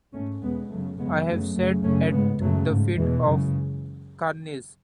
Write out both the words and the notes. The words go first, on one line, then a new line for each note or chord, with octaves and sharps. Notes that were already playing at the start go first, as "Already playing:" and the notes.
I have sat at the feet of Cairnes.
G#2 A3 C#4
E2 B2 G#3 B3
F#2 C#3 F#3 A3
F#2 C#3 G#3 B3
F#2 C#3 F#3 A3
F#2 C#3 F#3 A3
F#2 C#3 A3 C#4
G#2 G#3 B3
F#2 C#3 F#3 A3
G#2
E2 B2 E3 G#3
F#2 C#3